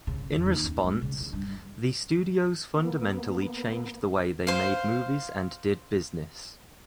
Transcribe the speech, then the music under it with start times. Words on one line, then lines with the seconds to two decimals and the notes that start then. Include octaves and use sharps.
In response, the studios fundamentally changed the way they made movies and did business.
0.07 C#3
0.33 F2
0.45 D#2
0.64 C#4
0.84 G#3
1.02 C#3
1.20 E3
1.33 G2
2.75 A#3 B3
4.47 C5 F5